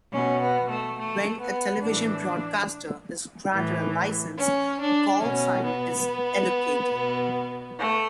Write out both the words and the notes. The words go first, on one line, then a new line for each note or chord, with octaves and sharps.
When a television broadcaster is granted a licence, a callsign is allocated.
B2 C#4
B3
A3
A3
B3
A2 E3 D4
A2 E3
C#4
D4
B2 C#4
B3
B2
A3